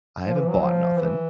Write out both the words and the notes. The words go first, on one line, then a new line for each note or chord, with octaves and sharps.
I haven't bought nothing."
F3
E3
F#3
F3
E3